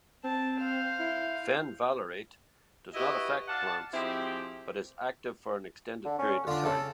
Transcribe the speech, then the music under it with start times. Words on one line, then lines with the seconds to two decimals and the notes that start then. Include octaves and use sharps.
Fenvalerate does not affect plants, but is active for an extended period of time.
0.24 C4 A5
0.57 C5 F5
0.99 E4
2.94 E4 F#4 G4 B4 D#5 E5
3.48 D5 F5 F#5 A5
3.94 F3 G#3 C4 E4 G4
6.05 D3
6.19 C#4
6.47 D3 D4 F4
6.66 C#3 A4